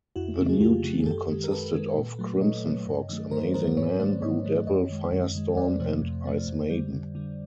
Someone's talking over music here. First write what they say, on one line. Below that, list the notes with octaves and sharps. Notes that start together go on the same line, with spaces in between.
The new team consisted of Crimson Fox, Amazing-Man, Blue Devil, Firestorm, and Icemaiden.
F2 E4 F#4
C#3 F#3 A3
G#4
F2 F4 G4
C#3 F#3 A3
G#4
F#2 G4 A4
D#3 G#3
A#4
F#2 A4 B4
D#3 G#3
A#2
F#3 A3
A#2 C#5 D#5
F#3 A3
G2
D#3 F#3 A3
G2 A#4 C5
D#3 F#3 A3 A#4 C5
G#2 B4 C#5
D#3 F#3 A3 C5 D5
G#2 C#5 D#5
D#3 F#3 A3
F#2 C#5 D#5
D#3 G#3
F#2
D#3 G#3
F2 C5 D5
C3 F3 A3
F2
C3 F3 A3
F2
D3 G3
F2
D3 G3